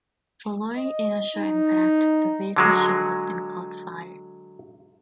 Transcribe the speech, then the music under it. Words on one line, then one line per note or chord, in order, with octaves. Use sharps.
Following initial impact the vehicle she was in caught fire.
D#5
D#4
D3 F#3 G#3